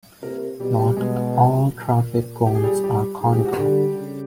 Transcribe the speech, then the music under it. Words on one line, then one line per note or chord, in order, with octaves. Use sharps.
Not all traffic cones are conical.
C3 A#3 A#4
B2 G3 G4
G3 G4
B2 G#3 G#4
A#2
G4
G#4
G3 G4
G3 G4
G#2 G#4
G4
F#4
D3 G3 G4
C#3